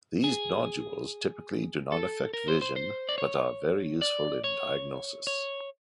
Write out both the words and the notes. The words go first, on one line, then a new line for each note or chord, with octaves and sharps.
These nodules typically do not affect vision, but are very useful in diagnosis.
G#4
A4
A#4
C5
C5
C5
D5
C#5
D5
C#5
C#5